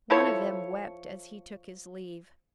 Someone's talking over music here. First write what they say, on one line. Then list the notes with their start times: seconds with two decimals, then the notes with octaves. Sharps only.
One of them wept as he took his leave.
0.10 F3 E4 A4 C#5